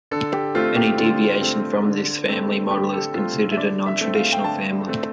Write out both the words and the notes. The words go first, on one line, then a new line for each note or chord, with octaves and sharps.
Any deviation from this family model is considered a "nontraditional family".
D3 A4
G4
A3 C4 F4
G4
D3 F4
A3 C4
D3
A3 C4
D3 G4
A4
A3 C4 F4
E5
D3 D5
E5
A3 C4
F5
G5
D3 A5
A3 C4